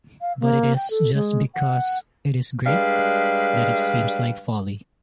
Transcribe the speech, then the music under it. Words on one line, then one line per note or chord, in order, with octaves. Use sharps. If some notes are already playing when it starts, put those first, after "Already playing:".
But it is just because it is great, that it seems like folly.
F5
A#3
G5
A4
G#3
F#5
G3 G#3 D4 B4 F5